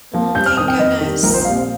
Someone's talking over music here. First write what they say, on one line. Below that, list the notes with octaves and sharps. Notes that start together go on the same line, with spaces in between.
Mm, thank goodness.
F3 A#3
G2 G6
F6
D#3 C4 D#6
G5
F2 D#5
D#3 G3
A#1 A#4
C5
A#2 G3 C4 F5
F5